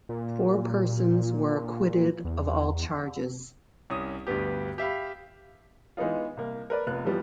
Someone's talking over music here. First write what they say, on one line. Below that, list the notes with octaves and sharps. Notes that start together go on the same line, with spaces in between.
Four persons were acquitted of all charges.
A#2
E2
C2 C#4 D#6
D2 G2 B3 G4
G4 E5 F5 B5
E3 G#3 B3 D#4 F4
C2 A#3
A#4 B4 D5
F1 B3 F4 F#6
G2 E3 F3 G3 B3